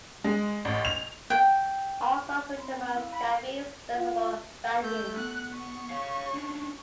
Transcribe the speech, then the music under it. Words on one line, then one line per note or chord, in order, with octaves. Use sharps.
All songs written by Scabies, Sensible, Vanian.
G#3
A1
F7
G5
C4 B5 C6
E4 F5
B5
F4
A3 G6
B3 F#6
C#6
C#5 F5
C#4 D4